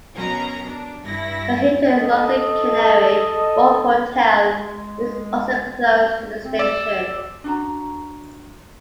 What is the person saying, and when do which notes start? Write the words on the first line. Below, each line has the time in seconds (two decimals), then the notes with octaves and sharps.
The Hilton London Canary Wharf hotel is also close to the station.
0.14 B2 F#3 C#4 A#4 A#5
0.66 D4
1.04 G2 E4 A#6
1.86 A4 D#5
4.52 G#3
6.44 C4
6.59 D5 E6
7.44 D4 F#4 A#5